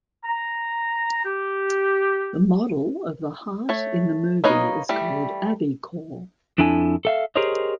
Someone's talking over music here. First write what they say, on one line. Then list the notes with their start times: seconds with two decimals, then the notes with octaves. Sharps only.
The model of the heart in the movie is called AviCor.
0.23 A#5
1.25 G4
3.69 A3 C#5
4.44 A#3 D#4 B4 C#5 D#5
4.89 E3 G3 A3
6.58 F2 D4 E4 A4 G#5
7.05 A4 E5 F5
7.36 G4 G#4 A#4 C5 C#5 D#5